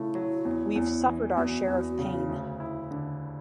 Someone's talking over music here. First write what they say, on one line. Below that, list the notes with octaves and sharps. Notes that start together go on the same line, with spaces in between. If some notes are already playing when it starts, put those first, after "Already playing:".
We've suffered our share of pain.
Already playing: C#3 A3 E4
F#3
E2
E2
E3
E2 F#4
E2
C#3
D2
E4
D3